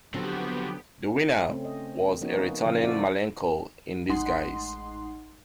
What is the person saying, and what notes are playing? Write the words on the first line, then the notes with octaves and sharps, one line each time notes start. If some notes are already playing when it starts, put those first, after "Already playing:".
The winner was a returning Malenko in disguise.
D3 F3 F#3 B3 C4 F#4 G4
C#3 A3 C4 C#4
D#5
F3 A#3 B3 C#4 D#4 F#4
C#3 F3 B3 F5
E4 F#4 A4 C5 D5 E5
A1 G#3 D#4 F#5 C6